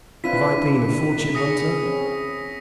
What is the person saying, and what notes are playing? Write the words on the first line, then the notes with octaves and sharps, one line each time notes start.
Have I been a fortune hunter?
C4 D4 E4 F4 B4 B6 D#7
G#4 D#6 A#6 C#7
C4 C#4